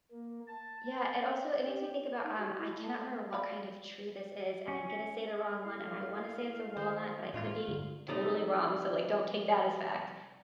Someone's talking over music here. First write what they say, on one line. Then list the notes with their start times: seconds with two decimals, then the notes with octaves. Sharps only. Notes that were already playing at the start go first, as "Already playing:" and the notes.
Yeah. And also, it makes me think about, um- I cannot remember what kind of tree this is, and I'm gonna say the wrong one, and I wanna say it's a walnut, but I could be totally wrong, so, like, don't take that as fact-
0.12 A#3
0.47 A5
0.84 A5
1.21 C#4
1.64 G4
2.24 D#4
2.38 F#4
2.59 E4
2.79 A3
3.33 D5 F5 B5
4.68 C#4
5.65 A2 F5
6.77 D#3 C5
7.34 E2 A2 G#3 F4
7.68 G2 D3
8.08 C3 F3 G3 A3 D#4